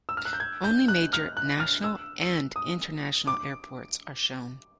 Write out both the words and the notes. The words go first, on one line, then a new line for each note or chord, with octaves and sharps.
Only major National and International Airports are shown.
E6
F6
F#6
G6
G#6
G6
F#6
F6
F#6
F6
E6
D#6
D6